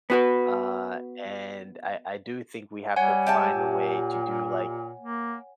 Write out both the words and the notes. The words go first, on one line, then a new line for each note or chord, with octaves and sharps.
Uh, and I I do think we have to find a way to do, like
B3 F#4 B4
G3 C#5 F#5 G#5
G4 E5 A5
A#2
A#3